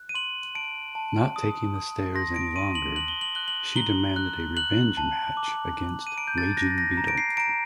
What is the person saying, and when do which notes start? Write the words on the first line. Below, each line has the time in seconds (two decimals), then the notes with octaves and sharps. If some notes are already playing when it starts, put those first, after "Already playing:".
Not taking the stares any longer, she demanded a "revenge match" against Raging Beetle.
Already playing: F#6
0.09 D#7
0.15 C6 F#7
0.55 A5 D7
0.95 A5
1.36 D#6
1.76 D#6
2.15 C6 A#6
2.36 D7
2.56 C6 D#7
2.75 F#7
2.96 F#6 F#7
3.08 G7
3.21 F#7
3.35 F#6 G7
3.48 F#7
3.76 A#5 G7
4.16 F#6
4.57 F#6 F#7
4.97 A5
5.37 D6
5.77 A5
6.07 D#7
6.16 A#5 D7
6.28 G6
6.38 A6
6.57 F#6 A#6
6.70 A6
6.78 A#6
6.97 A#5
7.08 D7
7.18 C7
7.37 A#5 D7